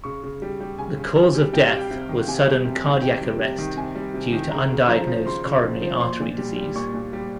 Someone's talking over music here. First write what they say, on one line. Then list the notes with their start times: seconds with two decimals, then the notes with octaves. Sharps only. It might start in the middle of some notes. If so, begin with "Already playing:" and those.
The cause of death was sudden cardiac arrest due to undiagnosed coronary artery disease.
0.04 C#3 C#6
0.23 C#3
0.42 G3
0.60 G3
0.78 C#3 G#5
0.97 C#3
1.17 G3
1.35 G3
1.53 C3 G5
1.67 F5
1.72 G3
1.79 G5
1.91 C3
2.09 D#3
2.28 C3 G#5
2.46 G3
2.65 C3
2.84 D#3
3.02 C3 G5
3.21 G3
3.40 C3
3.58 D#3
3.77 C3 G#5
3.95 G3
4.14 C3
4.33 D#3
4.51 C#3 A#5
4.71 C#3
4.88 F3 A#5
5.07 F3
5.26 C#3 C6
5.46 C#3
5.63 F3
5.82 F3
6.00 A#2 C6
6.20 A#2
6.38 G3
6.56 G3
6.75 A#2 C#6
6.94 A#2
7.13 G3